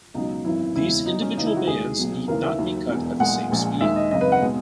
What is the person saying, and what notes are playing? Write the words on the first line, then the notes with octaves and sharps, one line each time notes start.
These individual bands need not be cut at the same speed.
C#2 B2 F#3 D#4
G#1 F#2 E3 E4
E1 E2 C#3 G#3 E4
E2 D#3 F#3 D#4
C#4
C#2 C#3 E3 G#3 D#4
E4
F#4
D#2 D#3 G#3 G#4
B1 B2 F#3
D#2 C#3 E3 A#4
E5
D#2 D#3 F#3
E1 E2 B2
B1 A#2 G#3 F#5
A#1 A#2 G#3
D#2 D#3 G#3 E5
D#5
G#1 F#2 C#3 G#3 D#5
B4
F#5
B2 G#3